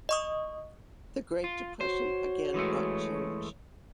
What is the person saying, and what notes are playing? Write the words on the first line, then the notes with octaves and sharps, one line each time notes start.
The Great Depression again brought change.
D#5 C#6 D#6
F4
F#4 C5 C#5
E3 G#3 A3